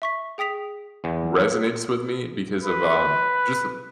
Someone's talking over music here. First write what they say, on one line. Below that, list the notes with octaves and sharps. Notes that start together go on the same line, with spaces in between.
resonates with me because of, um, just, uh
E5 C#6 B6
G#4 G5 D#6 B6 F7
E2
B4